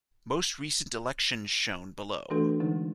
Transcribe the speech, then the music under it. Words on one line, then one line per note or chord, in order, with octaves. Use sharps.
Most recent election shown below.
E3 A3 D4 F#4 A4 B4
D3 E3 G#3 D#4